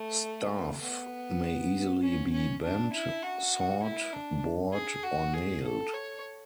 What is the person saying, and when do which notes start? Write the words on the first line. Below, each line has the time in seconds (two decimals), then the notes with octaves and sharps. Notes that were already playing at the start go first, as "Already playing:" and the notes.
Staff may easily be bent, sawed, bored, or nailed.
Already playing: A3
0.82 B3
2.02 C#4
2.33 C#4
2.62 D4
2.93 E4
3.23 F#4
3.83 E4
4.13 D4
4.73 G#4
5.03 F#4
5.34 G#4
5.64 A4
5.94 C#5